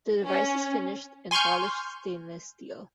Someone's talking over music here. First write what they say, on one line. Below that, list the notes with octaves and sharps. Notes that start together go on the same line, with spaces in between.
The device is finished in polished stainless steel.
C#4
G#5 C6 C#6 F6 G6